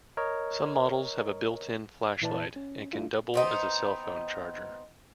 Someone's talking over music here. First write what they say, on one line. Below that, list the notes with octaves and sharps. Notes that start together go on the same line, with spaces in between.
Some models have a built-in flashlight and can double as a cellphone charger.
A#4 C#5 D#5
A#2 E3 E4 B4 D5 A5
C#4
A3 D4 E4 F4
B3 C4 D#4